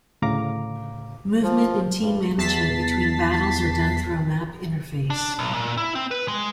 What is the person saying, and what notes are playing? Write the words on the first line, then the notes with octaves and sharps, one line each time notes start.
Movement and team management between battles are done through a map interface.
D2 A2 C#3 F5 A#5 D6
F3
G2
E2 A5 A6 B6 C7
D4
B1
A#2
E4
C4
B4
G#3